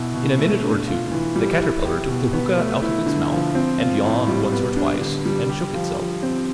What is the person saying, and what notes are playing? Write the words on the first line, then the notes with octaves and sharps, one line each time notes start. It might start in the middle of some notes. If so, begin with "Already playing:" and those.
In a minute or two the Caterpillar took the hookah out of its mouth and yawned once or twice, and shook itself.
Already playing: B2 E4
B2
A3
D4
F4
E3
G3
E4
G4
B2
B3
A3
E4
D3
F3
C4
F4
A2
G3
B3
D4
D3
G3
G4
F3
F3
C4